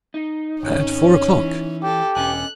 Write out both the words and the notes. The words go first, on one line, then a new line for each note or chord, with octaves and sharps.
"At four o'clock."
D#4
G#1 C#4 C#5
E3
G4 A4
E1 C#4 D#5 G#5 F#6